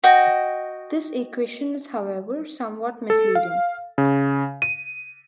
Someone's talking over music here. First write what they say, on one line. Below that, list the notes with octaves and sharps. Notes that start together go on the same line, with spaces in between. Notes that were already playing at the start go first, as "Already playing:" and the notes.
This equation is however somewhat misleading.
F#4 D#5 G5
A4
F5
C#3
D#7